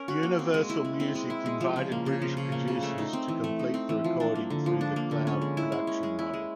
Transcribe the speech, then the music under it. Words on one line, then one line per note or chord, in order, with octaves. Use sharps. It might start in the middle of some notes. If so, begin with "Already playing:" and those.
Universal Music invited British producers to complete the recording through the cloud production model.
Already playing: C#4 A#4
F#4
A#3
C4
G#3
E4
G#3
C4
G#3
E4
G#3
F3
C#3
A#3
C#3
F3
C#3
A#3
C#3
A3
D#4
C4
E3
A3
D#4
C4
E3
F3
D4
A#3
D3
F3
D4
A#3
D3
C#4
G#3
E4
G#3
C#4
G#3
E4
G#3